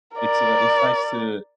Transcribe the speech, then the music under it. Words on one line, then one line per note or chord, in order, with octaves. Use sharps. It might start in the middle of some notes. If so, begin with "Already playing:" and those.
It's, uh, it's nice to
A#4 D5